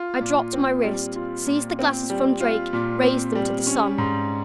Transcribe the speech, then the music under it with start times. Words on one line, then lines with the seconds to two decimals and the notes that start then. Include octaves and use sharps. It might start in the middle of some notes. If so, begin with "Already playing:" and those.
I dropped my wrist; seized the glasses from Drake; raised them to the sun.
Already playing: F4
0.21 A#2
0.53 C4
0.83 G3
1.16 F4
1.47 A#2
1.79 C4
2.10 G3
2.40 F4
2.73 A#2
3.03 C4
3.35 G3
3.67 C#4
3.98 G#2